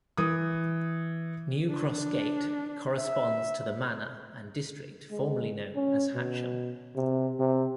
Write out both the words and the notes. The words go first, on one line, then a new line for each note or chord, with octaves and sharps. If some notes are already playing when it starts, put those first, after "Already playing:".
New Cross Gate corresponds to the manor and district formerly known as Hatcham.
E3 D#6
D4
E5
G#3
C#4
B2
C3
C3